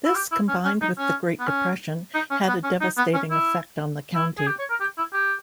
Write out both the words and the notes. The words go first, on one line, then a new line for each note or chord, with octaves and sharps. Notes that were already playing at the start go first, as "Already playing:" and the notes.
This, combined with the Great Depression, had a devastating effect on the county.
E4
G4
E4
C#4
C#4
D#4
C#4
B3
C#4
D#4
C#4
B3
C#4
D#4
B3
C#4
E4
E4
G#4
G4
C#5
A#4
G4
E4
G4